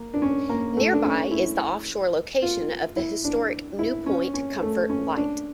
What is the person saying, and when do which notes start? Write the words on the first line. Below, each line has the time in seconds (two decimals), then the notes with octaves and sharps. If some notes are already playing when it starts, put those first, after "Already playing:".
Nearby is the off-shore location of the historic New Point Comfort Light.
Already playing: A#3
0.14 D4
0.22 C#4
0.49 A#3
0.77 A3
0.93 D4
1.04 C#4
1.31 E4
2.42 F4
2.96 E4
3.24 D4
3.79 E4
4.06 C#4
4.34 C#4
4.62 A3
4.90 C#4
5.17 D4